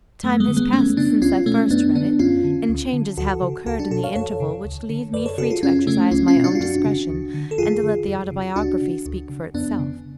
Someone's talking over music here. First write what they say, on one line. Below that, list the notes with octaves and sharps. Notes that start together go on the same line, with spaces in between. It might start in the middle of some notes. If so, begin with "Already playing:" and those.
Time has passed since I first read it, and changes have occurred in the interval, which leave me free to exercise my own discretion, and to let the autobiography speak for itself.
F#2 A3
G#3 B3
D3
G#3 B3
F2 A3 C#4
C#3 B3 D4
C#2 C#4 F4
B2 A3 C#4
F#2 B3 D4
D3 B3 D4
F#2 C#4 F4
D3
D2
D3
D2 F#4 A4
C#3
C#2 F#4 A4
D4 F#4
B2 F#4 A4
C#5 F5
F2 A4 C#5
C#3
D2
D3
F#2 B4 D5
A4 C#5
C#3 F#4 A4
F4 G#4
F#2 C#4 F4
C#3 A3 C#4
C#2 C#4 F4
C#4 F4
B2
D4 F#4
F4
F#2 D4 F#4
C#3
D2
D3
A4
F2 F4 G#4
D3
F2
C#3
D2 D4 F#4
C#3
D2
C#3
F2 B3 D4
C#3